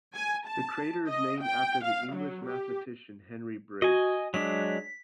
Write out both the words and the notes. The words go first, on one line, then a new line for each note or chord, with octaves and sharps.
The crater is named after the English mathematician Henry Briggs.
G#5
A5
D#5
G5
F5
F#3
G4
F#4 D#5 G#5
F#3 G#3 D4 B6